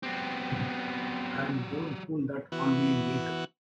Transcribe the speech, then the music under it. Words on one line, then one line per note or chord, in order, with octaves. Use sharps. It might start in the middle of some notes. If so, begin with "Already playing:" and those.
And don't pull that on me neither!
F#3 B3 C4 G4
E3 B3 F#4